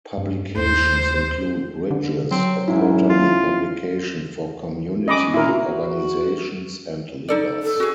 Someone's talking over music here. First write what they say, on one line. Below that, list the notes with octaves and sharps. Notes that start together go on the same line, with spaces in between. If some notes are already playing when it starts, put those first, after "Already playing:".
Publications include "Bridges", a quarterly publication for community organizations and leaders.
G2
D#2 C5
D3
F#3 C4
G#2 E3 C#4 E4
F4
C#4 D#5 B5 D6
A#2 E4 A#4
F#4
D#4 A4 D5
A4
F#4 G#4